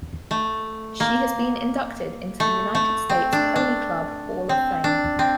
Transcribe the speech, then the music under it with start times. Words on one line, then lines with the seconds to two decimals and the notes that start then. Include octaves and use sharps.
She has been inducted into the United States Pony Club Hall of Fame.
0.31 A3
1.00 A#3
2.40 A3
2.75 A3
3.10 C4
3.33 D4
3.56 D4
4.49 C4
4.84 D4
5.19 C4